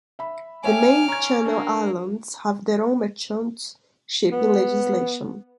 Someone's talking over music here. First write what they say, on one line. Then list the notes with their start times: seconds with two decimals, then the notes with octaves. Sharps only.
The main Channel Islands have their own Merchant Shipping Legislation.
0.19 E5 B5
0.64 C#5 E5 G5 G#5 D6 F6
1.08 C#4 A#5 G#6
1.46 A#3 D4
4.32 B3